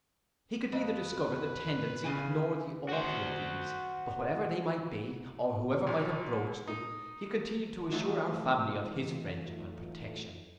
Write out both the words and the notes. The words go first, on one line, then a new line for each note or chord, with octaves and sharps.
He could neither discover the tendency, nor the author of these, but whatever they might be, or whoever might have broached them, he continued to assure our family of his friendship and protection.
F2 B4 D#5
E2 C#3 G#5
F#4 C5
B1
D#4
E3 F#3 A3 D#4 F4